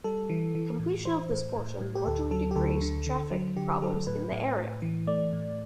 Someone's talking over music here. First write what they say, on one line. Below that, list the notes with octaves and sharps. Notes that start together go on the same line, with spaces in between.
Completion of this portion largely decreased traffic problems in the area.
G3 A4
E3
E3
A2
E3 C5
A2
A2
A2
G4
D2 A4
F#3 A4
G4
D2 A4
D3
D3
F#3
D3 G4
F#3 A4
A2 B4
A2
A2
E3
A3 D5
A2